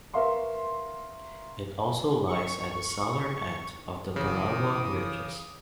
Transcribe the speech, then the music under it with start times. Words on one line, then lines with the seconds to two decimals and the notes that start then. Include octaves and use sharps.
It also lies at the southern end of the Tararua Ranges.
0.14 A#4 B4 E5 F5 C6 C#6
2.27 C#6
4.16 C#3 E3 D6 D#6